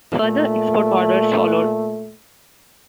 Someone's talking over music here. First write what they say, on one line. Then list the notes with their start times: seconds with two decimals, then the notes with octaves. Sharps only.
Further export orders followed.
0.21 A#2 A3